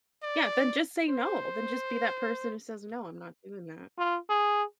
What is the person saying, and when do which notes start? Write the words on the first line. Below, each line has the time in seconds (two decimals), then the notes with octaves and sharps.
Yeah, then just say no, then just be that person who says, "No, I'm not doing that."
0.23 D5
1.10 C5
3.98 F4
4.30 G#4